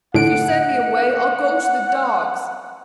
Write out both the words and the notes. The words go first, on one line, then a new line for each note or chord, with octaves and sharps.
If you send me away I'll go to the dogs.
A2 D3 F#5 D7